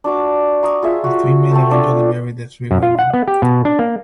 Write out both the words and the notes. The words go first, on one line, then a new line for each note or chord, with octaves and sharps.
The three men eventually marry the three women.
D4 F#4 D6
A#5 C#6 D#6
F4 G#4 E5
F#4
A3 C4 A4 C5
D4 F4
F#2
F4
F#5
B3
G4
B2
D4
A#3